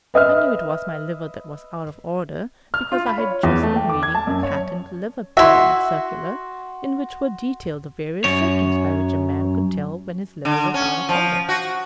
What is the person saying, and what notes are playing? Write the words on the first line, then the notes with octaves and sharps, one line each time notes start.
I knew it was my liver that was out of order, because I had just been reading a patent liver-pill circular, in which were detailed the various symptoms by which a man could tell when his liver was out of order.
B4 D#5 E5 F6
F6
F4
B5
C#5
E2
A3
G5
D6
G#6
A5
F#2
C#5
E4 F#4 E5 C6
F#2 C#5
D3
C#4
F3
F#4